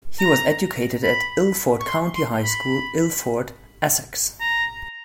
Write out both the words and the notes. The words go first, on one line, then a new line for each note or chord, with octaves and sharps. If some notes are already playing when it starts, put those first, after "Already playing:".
He was educated at Ilford County High School, Ilford, Essex.
A#5
B5
C#6
C6
C6
B5
A#5